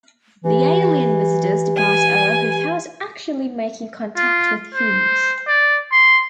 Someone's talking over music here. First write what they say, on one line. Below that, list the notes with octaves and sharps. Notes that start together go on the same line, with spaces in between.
The alien visitors depart Earth without actually making contact with humans.
E3 G4
E3 G#5
F4
C5
D5
C6